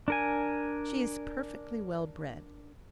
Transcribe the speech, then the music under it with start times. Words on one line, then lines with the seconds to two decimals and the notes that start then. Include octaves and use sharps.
She is perfectly well-bred.
0.08 D4 A#4 G#5